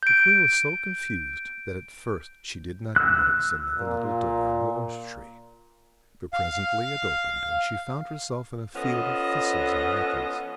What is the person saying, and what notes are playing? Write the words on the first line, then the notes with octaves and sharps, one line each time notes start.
The Queen was so confused that at first she did not notice another little door in the orange tree, but presently it opened and she found herself in a field of thistles and nettles.
G6 D7
E6 F#6
A#2
F5
F3 B3 C#4 A4 D#5